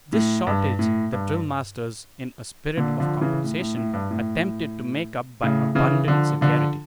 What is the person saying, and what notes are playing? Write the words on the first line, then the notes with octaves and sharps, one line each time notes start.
This shortage the drill-masters, in a spirit of compensation, attempted to make up by abundant severity.
A2
G2
A2
G2
A#2 D3
D3 F3
C#3 E3
A2
A2
A2
G2
A2
A2 C#3
C#3 E3
D3 F3
D3 F3